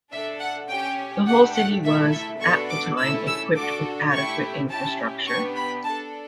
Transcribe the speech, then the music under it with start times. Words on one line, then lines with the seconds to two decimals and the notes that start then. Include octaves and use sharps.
The whole city was, at the time, equipped with adequate infrastructure.
0.12 D4 A4 E5
0.40 F#5
0.69 C#4 G4 G5
1.27 A3 D4 G4 F#5
1.55 F#5
1.84 A3 E4 A4 E5
2.12 E5
2.41 B3 D4 F#4 A4 C#6
2.69 D6
2.98 A3 C#4 E4 A4 E6
3.27 E6
3.55 D4 F#4 A4 D6
4.12 A3 E4 G4 C#6
4.69 C#4 E4 G4 A5
5.26 B3 D4 G4 C#6
5.56 B5
5.84 D4 A4 A5